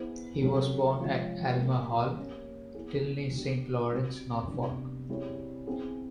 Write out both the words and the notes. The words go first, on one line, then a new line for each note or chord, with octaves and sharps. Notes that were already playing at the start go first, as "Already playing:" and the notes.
He was born at Aylmer Hall, Tilney Saint Lawrence, Norfolk.
Already playing: B3 E4 G#4 C5
C3 D#3 F#3 A3 C#4
F3 G#3 C#4 F4 G#4
B2 G3 A#3 C#4
G3 A#3 C#4
B3 E4 G#4
G3 B3 D4 G4
G3 C4 D#4 F#4
C3 D#3 G3 B3 D4
G3 C4 E4 G#4 C#5
C4 E4 G#4